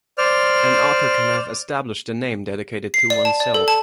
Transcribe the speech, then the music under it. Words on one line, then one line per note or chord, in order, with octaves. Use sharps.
An author can have established a name dedicated to oneself.
C5 D5 F6
C7
D5
A5
D5
A4
A5